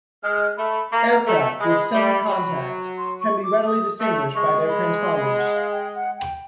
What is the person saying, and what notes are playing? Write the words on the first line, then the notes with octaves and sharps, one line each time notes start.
Aircraft with Center contact can be readily distinguished by their transponders.
G#3 F6
A3 B5
A#3 A#5
A3
G#3 B5
G3
F#3
C6
C#6
D6
D#6
A3
G#3 C#6
B5
C6
B5
F#5
F5
G5
F#5
G5